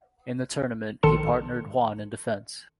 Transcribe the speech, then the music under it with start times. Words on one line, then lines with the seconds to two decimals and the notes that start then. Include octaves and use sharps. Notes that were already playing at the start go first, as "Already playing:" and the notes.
In the tournament, he partnered Juan in defence.
1.03 A#1 D#3 A4 A5 C6 C#7